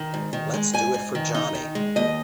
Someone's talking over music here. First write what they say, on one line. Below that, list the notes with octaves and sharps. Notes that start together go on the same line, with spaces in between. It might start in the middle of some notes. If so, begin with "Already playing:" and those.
Let's Do It for Johnny!!
Already playing: D#3
G#2
D#3
G#3
G#2 G#5
G#2
D#3
D#4
D#3
G#3
D#2 D#5